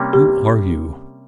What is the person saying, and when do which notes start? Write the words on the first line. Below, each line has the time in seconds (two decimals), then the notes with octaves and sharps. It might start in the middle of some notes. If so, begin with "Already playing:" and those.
Who are you?
Already playing: C3 G3 A#3 C#4
0.13 G4